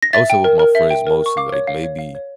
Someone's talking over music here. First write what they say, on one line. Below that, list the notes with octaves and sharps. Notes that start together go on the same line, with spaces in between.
I would say with my friends mostly, like, maybe
A#6
E5 A6
G5
A#4
A#4
E5
G5
A#4
A#4 C#6
F5 D6
C#5
F5
C#5
F5
C#5